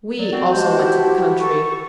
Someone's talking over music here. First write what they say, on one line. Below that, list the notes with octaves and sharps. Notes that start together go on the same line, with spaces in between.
We also went to the country.
F#3 D5
C4 F#4
G#3 G4 C5 A5 G6
E4
A4 C#6